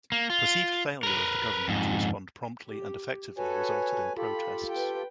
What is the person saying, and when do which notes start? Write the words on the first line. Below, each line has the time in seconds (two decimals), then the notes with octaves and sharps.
Perceived failure of the government to respond promptly and effectively resulted in protests.
0.12 A#3
0.30 F4
1.03 A#4 B4
1.68 F2 G#2
2.66 G4
3.38 F#4 A4 B4 C#5 G#5
4.17 F4 G4 A4 B5
4.70 B4 G5